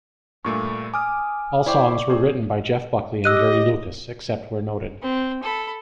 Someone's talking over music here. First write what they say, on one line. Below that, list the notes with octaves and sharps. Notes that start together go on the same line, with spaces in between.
All songs were written by Jeff Buckley and Gary Lucas, except where noted.
G2 A#2 A3 C#6
G#5 D6 D#6 F6
E4 C5 D5 G5 C#6 D6
C4 G#4 C5
G4 D#5 E6 F#6 D#7
C4
A4 B5